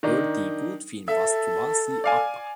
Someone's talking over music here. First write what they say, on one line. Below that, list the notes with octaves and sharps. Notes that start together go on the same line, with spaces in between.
Her debut film was Tulasi Apa.
D#3 D4 D#4
A4 E5
D5 F5 G#5